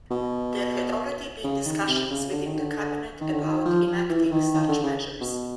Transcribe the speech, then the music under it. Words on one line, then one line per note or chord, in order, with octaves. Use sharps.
There had already been discussions within the Cabinet about enacting such measures.
B2
C#3
D#3
C3
C#3
D3
D#3
D3
D#3
D3
D#3
F3
F3
E3
E3
D#3
D#3
D3
C#3
B2